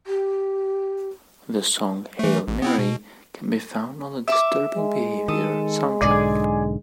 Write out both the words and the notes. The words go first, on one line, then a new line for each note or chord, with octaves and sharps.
The song "Hail Mary" can be found on the "Disturbing Behavior" soundtrack.
G4
E3 A3
A1
B3 C4 E4
B2
E5 D6
G#3
D#3 A4 D#6
B1 G#2 D3 G#4 D5 G#5